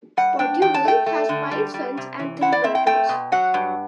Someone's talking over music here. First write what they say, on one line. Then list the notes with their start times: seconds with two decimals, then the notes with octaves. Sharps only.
Portugal has five sons and three daughters.
0.17 G3 F#5
0.39 D4 G5
0.62 E2 G5
0.74 A5
0.85 A3 G5
1.06 A3
1.29 D3
1.51 G3
1.74 G3
1.97 C3
2.19 E3
2.41 E4 F#5
2.52 D5
2.64 C4 E5
2.75 G5
2.86 A3 G5
3.09 B2
3.32 F#3 F#5
3.54 G2